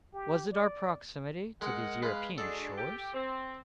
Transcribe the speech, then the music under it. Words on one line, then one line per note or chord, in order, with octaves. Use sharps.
Was it our proximity to these European shores?
G4
D5
G#3 A#4 D#5 F#5
G#3 B4 F5
G#3 D4 F#4 A4
G4 G5
C4